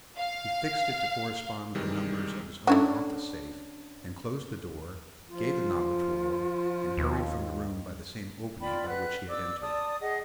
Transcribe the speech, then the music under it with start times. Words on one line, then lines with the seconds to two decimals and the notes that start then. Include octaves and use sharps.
He fixed it to correspond with the numbers of his own office safe, then closed the door, gave the knob a twirl, and hurried from the room by the same opening by which he had entered.
0.17 F5
1.75 C3 D#3 E3 G3 G#3
2.67 A3 C#4 D4 E4 F#4 D5
5.29 F3 F4
6.97 D#2
8.62 F4 D5 G5 B5
8.88 B4 F#5 F#6
9.29 D5 D6 E6
9.61 D5 A5 D#6
10.00 G#4 D#5 F#5